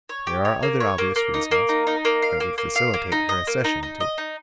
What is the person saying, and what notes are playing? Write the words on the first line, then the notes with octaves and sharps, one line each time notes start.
There are other obvious reasons that would facilitate her accession to it.
C#5
G4
C#5
A#3
C#5
A#3
A#3
D#4
A#3
D#4
D#4
A#3
F5
A#3
A#3
F5
A#3
D#4
D#5
A#3
D#4
D#4
D#5
D#4